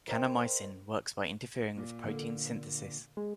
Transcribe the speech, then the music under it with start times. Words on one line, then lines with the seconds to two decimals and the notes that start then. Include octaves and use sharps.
Kanamycin works by interfering with protein synthesis.
0.08 A#4 C5 D#5 G5
1.77 A#2
2.04 D3 A#3
3.17 G#3